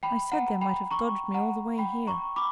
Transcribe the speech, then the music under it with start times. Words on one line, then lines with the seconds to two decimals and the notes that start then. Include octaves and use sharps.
"I said they might have dodged me all the way here."
0.03 G5 B5
0.32 F#5 A#5
0.61 G5 B5
0.91 A#5 C#6
1.34 F#5 A#5
1.78 G5 B5
2.07 A#5 C#6
2.36 B5 D6